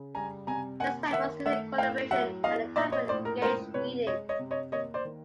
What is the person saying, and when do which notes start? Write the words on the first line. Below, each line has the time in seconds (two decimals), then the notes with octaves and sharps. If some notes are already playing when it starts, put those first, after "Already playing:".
There is time for student collaboration and a time for engaged reading.
Already playing: C#3
0.15 G3 G#5 A#5
0.47 C3 G#5 A#5
0.80 D#2 F#5 G#5
1.12 D#3 E5 F#5
1.45 A3 E5 F#5
1.78 A2 F5 G5
2.11 F#3 E5 F#5
2.44 E2 D#5 F5
2.76 A#1 D5 E5
2.92 C#5 D#5
3.09 A2 C5 D5
3.25 A#4
3.42 C#2 A#4 C5
3.74 C3 B4 C#5
4.07 G#3 C#5 D#5
4.29 C#5 D#5
4.39 C3
4.51 C#5 D#5
4.72 D#2 C#5 D#5
4.94 C5 D5
5.05 D#3